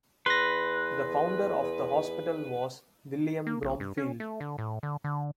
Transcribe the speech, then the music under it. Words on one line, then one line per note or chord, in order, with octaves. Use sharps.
The founder of the hospital was William Bromfeild.
E2 B4 C6 A#6
A#3
A#1
G2
C#4
A3
D3
A2
D3
D3